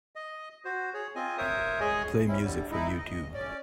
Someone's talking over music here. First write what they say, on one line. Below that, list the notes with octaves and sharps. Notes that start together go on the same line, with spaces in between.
Play music from Youtube.
D#5
F#4 C5
G#4 C#5
C4 F4 D#5 G#5
A#4 C5 C#5 E5 D#6
G#3 G#4 C#5 D#5 G#5
G#3 C4 C#4 E4
D3 G3
G#3 D#4 E4
D#5
C#4 D5